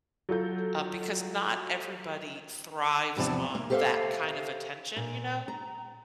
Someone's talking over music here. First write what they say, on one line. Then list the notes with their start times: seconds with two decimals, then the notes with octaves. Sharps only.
um, because not everybody thrives on that kind of attention, you know?
0.29 F#3 F4 A4 G6
3.16 E2 C3 F3 D5 A5
3.55 A#3
3.70 G4 A4 C5 D5 E5 F5
4.96 A#2
5.48 A#5